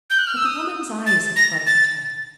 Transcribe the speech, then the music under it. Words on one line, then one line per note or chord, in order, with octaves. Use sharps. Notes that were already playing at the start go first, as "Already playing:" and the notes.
But the woman's eyes had frightened her.
G6
F#6
F6
E6
D#6
A6
A#6
A6